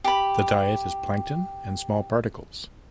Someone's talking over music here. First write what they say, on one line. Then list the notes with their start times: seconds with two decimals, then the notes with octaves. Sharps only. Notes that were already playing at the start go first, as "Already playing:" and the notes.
The diet is plankton and small particles.
0.04 G4 B5